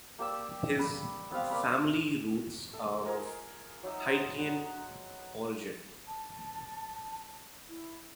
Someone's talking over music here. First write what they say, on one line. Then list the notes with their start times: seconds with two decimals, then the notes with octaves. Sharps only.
His family roots are of Haitian origin.
0.19 A#3 G4 D5 E6
0.79 B5
1.31 B3 C4 G4 F5
1.51 A#3 D5 B5
2.73 A4 E5
3.05 F4 G#4 A#4 A#5
3.83 F#3 D#4 E5 D#6
4.05 B3 A#5 C6 D#6
4.38 F#5
6.06 A5
7.69 E4